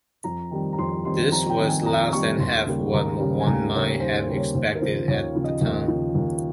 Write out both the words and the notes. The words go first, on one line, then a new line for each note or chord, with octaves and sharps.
This was less than half of what one might have expected at the time.
F2 A#5
D#3 G3 C4
A#5
F2 C6
D#3 G3 C4 C6
F2 A#5
G5
D#3 G3 C4
G#5
F2 A#5
D#3 G3 C4 C#6
D#2 C6
C#3 G3 A#3
D#2 A#5
C#3 G3 A#3
G#5
D#2 A#5
C#3 G3 A#3 C#5
D#2 C5
C5
C#3 G3 A#3
C#5
D#2 C5
A#4
C#3 F3 C5
D#2 C#5
C#3 F3
D#5
D#2
C#3 F3
D#2